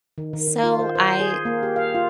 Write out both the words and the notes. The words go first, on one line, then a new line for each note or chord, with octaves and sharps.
So, I
D#3
D#3
D#3
F4
C5
C5
G#4
A#3
G4
F5
F4